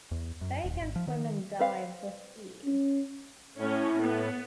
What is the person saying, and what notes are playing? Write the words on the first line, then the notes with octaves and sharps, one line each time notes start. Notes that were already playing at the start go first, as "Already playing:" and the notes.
They can swim and dive with ease.
E2
F#2
D#1
G#1
F3
D#3
C4 B4 F5
C#4
A2 C#4
B3